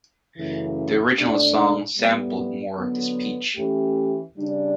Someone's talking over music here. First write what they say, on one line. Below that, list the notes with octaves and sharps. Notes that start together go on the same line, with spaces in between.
The original song sampled more of the speech.
F#2 C#3 E3 A3 E4
B2 A3 D4
A2 G3 B3
D3 F#3 B3
E3 A3 C#4 G4
C#3 G3 D4